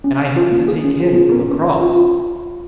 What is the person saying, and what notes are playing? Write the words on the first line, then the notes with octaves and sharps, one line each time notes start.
And I helped to take Him from the cross.
C#4
F5
F4
A#3
G#4
C#4
F4
F4
A#4
C#4
C#5
F4
F4